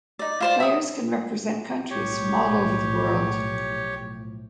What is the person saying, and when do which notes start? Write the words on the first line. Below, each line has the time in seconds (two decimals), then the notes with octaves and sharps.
Players can represent countries from all over the world.
0.19 D#4 D5
0.40 F4 C5 D5
0.60 E5 D#6
1.91 B1 A2 F3 G4 C#5